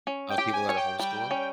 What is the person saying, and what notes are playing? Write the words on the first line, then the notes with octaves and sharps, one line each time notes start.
Of people that are homeschooling?
C#4
G5
G4
G#5
C#5
G5
G3 G5
C#4